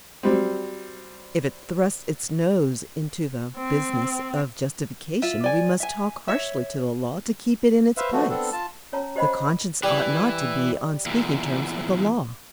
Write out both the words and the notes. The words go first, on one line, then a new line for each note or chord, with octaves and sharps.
If it thrusts its nose into the business of justification we must talk harshly to the Law to keep it in its place. The conscience ought not to be on speaking terms with the Law.
F#3 G3 C4
C4
F4 E5
D5 G#5
E5 G#5
C#5 E5
B4 C5 E5 F5
D3 E3 F3 A3 F#4
B3 C4 D4 A4
F4 A5
C#4 C#5 A5 A#5
G4 C5 D#5 F#5 B5
E3 G3
E2 A#2